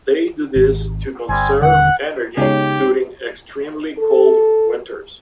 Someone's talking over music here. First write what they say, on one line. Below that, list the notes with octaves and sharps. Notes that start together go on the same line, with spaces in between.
They do this to conserve energy during extremely cold winters.
G#1
G1 G3 C4 G#5
D#1 D3 F#5
C#3 G#3 B3 D#4 G4 G#4 C#5
A4